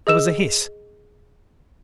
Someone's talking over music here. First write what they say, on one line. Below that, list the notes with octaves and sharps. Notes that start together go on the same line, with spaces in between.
There was a hiss.
G#4 D#5 E6 E7